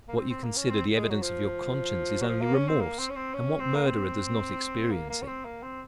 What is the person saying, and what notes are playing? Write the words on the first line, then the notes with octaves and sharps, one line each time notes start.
What you consider the evidence of your conscience is only remorse; and what murderer does not experience it?
A#3
C4
C4
A#3
C#4
C4
G#3
F#3
F3
F#3
F3
A#3
C#4
C4
A#3
C4
C#4
C4
C#4
C4
A#3
C4
A#3
A#3
C#4
C4
A#3
C4